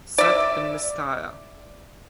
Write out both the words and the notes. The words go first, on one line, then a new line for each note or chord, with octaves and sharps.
Set in Mystara.
D5 E5